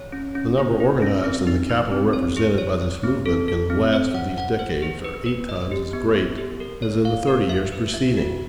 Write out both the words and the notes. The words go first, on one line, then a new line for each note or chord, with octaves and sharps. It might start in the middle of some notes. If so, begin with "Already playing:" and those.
The number organized and the capital represented by this movement in the last of these decades are eight times as great as in the thirty years preceding.
Already playing: C#5
C#4
C#4
E4
E4
C#4
C4
D#4
D#4
C4
C#5
G#4
C#5
C#5
C4
A4
A4
C4
C5
F#5
F#5
C5
G#4
B4
B4
D#5
G4
B3
B3
G4
A#4
C#5
F5
A#4
E5
B4
E5
F#4